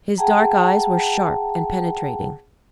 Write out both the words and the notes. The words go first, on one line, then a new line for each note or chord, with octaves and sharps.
His dark eyes were sharp and penetrating.
G#4 F#5 G5 A5 A#5